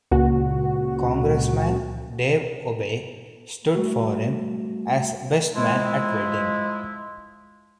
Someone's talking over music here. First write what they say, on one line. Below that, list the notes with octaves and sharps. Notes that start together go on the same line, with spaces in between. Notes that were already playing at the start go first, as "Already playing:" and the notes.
Congressman Dave Obey stood for him as best man at the wedding.
C#2 A#2 F#4
G3 A3 F#4
F3 G#3 E4